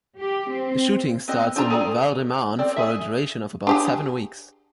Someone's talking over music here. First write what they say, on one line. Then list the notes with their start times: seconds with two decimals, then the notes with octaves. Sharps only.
The shooting starts in Val-de-Marne for a duration of about seven weeks.
0.21 G4
0.50 C4
1.28 B3 C4 D#5
1.56 C4 D4 F4 A5 A#5
1.70 G#4 A4 D5 A#5
2.59 C4 D5
2.76 G#4 A4 E5
3.67 D4 G4 G#4